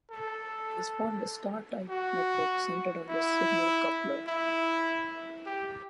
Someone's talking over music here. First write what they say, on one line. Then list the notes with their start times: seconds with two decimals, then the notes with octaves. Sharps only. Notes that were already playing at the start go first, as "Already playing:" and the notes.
This formed a star-type network centered on the signal coupler.
0.11 A4
1.90 F#4
3.09 E4
4.28 E4
5.46 G4